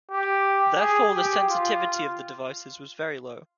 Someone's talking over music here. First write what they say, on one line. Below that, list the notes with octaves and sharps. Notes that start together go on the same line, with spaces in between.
Therefore, the sensitivity of the devices was very low.
G4
G#4
G4
F4